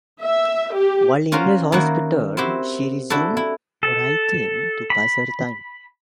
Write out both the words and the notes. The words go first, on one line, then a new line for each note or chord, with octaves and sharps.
While in the hospital, she resumed writing to pass her time.
E5
G4
C#4 F4 F#4 A#4 C5
D#3 A#3 E4 F#4
C4 E4 F#4 G4
D4 E4 F#4 A4
E4
A4
B5